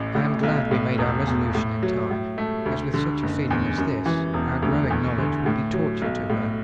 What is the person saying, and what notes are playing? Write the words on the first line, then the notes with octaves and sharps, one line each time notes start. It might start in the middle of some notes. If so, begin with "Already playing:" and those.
I am glad we made our resolution in time, as with such a feeling as this, our growing knowledge would be torture to her.
Already playing: A1 A2
A2
B1
A2
E1
E2
A2
F#3
A2
A3
D2
D3
F#1
E2
F#2
E3
E1
D2
E2
D3
A2
F#3
B1
A2